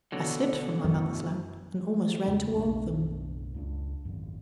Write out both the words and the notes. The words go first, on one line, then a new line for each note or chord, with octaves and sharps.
I slipped from my mother's lap and almost ran toward them.
B2 D3 F#3
F#2 E3 A3
E2 C#3 A3 C#4
F#1 B1 B3 D4
C#2 C#4 D4
G#1 F#2